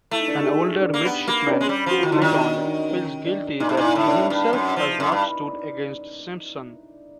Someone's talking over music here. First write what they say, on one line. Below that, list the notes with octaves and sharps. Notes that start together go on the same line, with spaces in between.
An older midshipman, Clayton, feels guilty that he himself has not stood against Simpson.
A3 E4
D#4
D4
D#4
G4
G#4
D4
A#3
B3
A#3
D4
C#4
G#3
G3
F3 F#4
F4
D#3 E4
D3 D#4
D#3 D4
D4
D#4
C#4
D4
A#2 D#4
A2
A#2 D#4
E4
A2
D4
G2
F#2
F3
F#2
G2